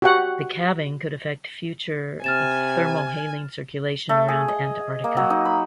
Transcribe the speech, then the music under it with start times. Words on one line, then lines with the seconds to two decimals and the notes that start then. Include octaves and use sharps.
The calving could affect future thermohaline circulation around Antarctica.
0.02 F#4 G4 F#5
2.24 C3 G#5 F6 A6 E7
4.09 A3
4.28 G#4
4.48 D#5
5.04 A#3
5.17 F#3
5.30 D#4
5.45 B5